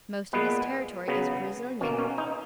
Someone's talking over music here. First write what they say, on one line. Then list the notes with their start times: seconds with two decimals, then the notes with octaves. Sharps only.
Most of this territory is Brazilian.
0.33 A#2 G#3 B3 B4
1.08 C#3 F#3 B3
1.81 B2 A#3 C#4
1.98 C#4
2.18 D#4